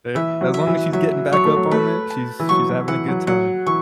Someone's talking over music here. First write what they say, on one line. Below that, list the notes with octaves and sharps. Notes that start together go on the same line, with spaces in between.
Eh as long as she's getting back up on it, she's she's having a good time.
E3 E5
F#3
E5
E3
F#3 E5
F#3 C#5
A3
F#3
A3 B4
A5
E3
F#3 C#6
F#3
E3 F#5
F#3
F#3 F#5
E3 C#6